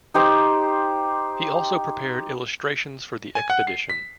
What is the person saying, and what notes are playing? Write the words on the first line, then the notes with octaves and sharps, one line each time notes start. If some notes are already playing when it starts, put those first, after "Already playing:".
He also prepared illustrations for the expedition.
D#4 G4 C5
G#5
F#5
C7
B6